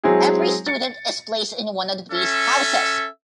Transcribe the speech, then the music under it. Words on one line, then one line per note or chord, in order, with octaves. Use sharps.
Every student is placed in one of these houses.
F#3 G#3 C4 E4 G#4
A6 C#7
C#4 A4 E5